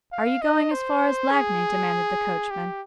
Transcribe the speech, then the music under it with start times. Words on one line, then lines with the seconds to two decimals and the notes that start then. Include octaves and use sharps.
"Are you going as far as Lagny?" demanded the coachman.
0.12 F5
0.42 D#5
0.71 C5
1.31 G#4
2.50 G4